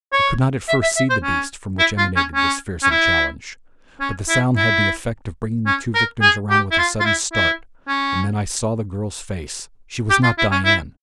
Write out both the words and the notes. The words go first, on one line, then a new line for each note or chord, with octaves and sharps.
I could not at first see the beast from which emanated this fearsome challenge, but the sound had the effect of bringing the two victims around with a sudden start, and then I saw the girl's face--she was not Dian!
C#5
E5
E5
E5
C5
C#4
E4
F4
C#4
C#4
C#4
E4
C#4
E4
E4
C#4
A#4
G#4
G4
E4
F4
F4
E4
E4
C#4
G4
F4
E4
C#4
E4